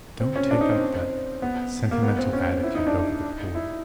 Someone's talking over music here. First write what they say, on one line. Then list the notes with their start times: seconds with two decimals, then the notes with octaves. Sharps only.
Don't take up that sentimental attitude over the poor.
0.20 C4
0.36 C#4
0.51 D4
0.61 D#4
0.72 C4
1.42 B3
1.91 A#3
2.03 B3
2.18 C4
2.33 C#4
2.63 E4
2.75 D#4
2.87 D4
2.98 D#4
3.55 E4